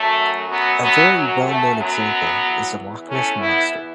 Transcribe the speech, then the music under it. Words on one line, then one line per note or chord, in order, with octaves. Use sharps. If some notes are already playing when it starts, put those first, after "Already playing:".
A very well-known example is the Loch Ness Monster.
Already playing: F#2 F#3 A3
F#3 B3
F#3 B3
F#3
A3
F#3 B3
E2 E3
A3 C#4
B3 E4